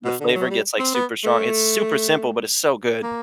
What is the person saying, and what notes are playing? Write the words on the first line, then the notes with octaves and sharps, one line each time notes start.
the flavor gets, like, super strong. It's super simple, but it's so good.
B2
D3
F#3
G3
C4
B3
A3
A#3